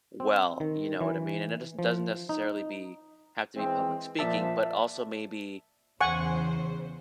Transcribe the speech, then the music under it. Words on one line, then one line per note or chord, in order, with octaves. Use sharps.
well, you know what I mean, and it doesn't doesn't necessarily be have to be public speaking, but also maybe,
C4
D#3
E3
F3
D#4
E3 G#3 C4
A#2 F3 D5 E5 A5
E2 C#3 C5 F#5 G#5 C#6